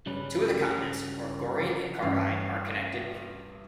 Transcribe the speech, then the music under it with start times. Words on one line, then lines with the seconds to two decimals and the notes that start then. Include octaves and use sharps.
Two of the continents, Orgoreyn and Karhide, are connected.
0.06 G2 C#3 G3 C#4 B4
2.02 A1 G2 C#4 C7